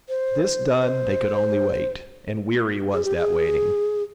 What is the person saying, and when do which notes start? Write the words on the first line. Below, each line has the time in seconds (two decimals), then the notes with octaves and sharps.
This done, they could only wait, and weary was that waiting.
0.09 C5
0.80 C5
2.93 G#4
3.05 G4
3.16 G#4